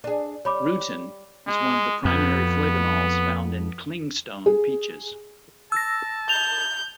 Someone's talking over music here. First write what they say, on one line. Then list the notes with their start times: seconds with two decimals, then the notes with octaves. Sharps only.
Rutin is one of the primary flavonols found in 'clingstone' peaches.
0.04 D4 G#4
0.45 G3 C#5 B5 D6
1.47 G#3
2.05 F2 B3
4.46 G#4
5.72 A5 E6 A#6
6.29 G6 F7